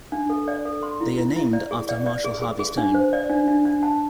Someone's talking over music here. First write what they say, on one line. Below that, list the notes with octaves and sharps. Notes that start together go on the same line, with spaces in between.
They are named after Marshall Harvey Stone.
D4
A4
D5
A4
C6
E4
E4
E4
D5
G#4
D5
D5
G#4
G#4
G#4
D4
C5
D5
D4
D4
D4
A5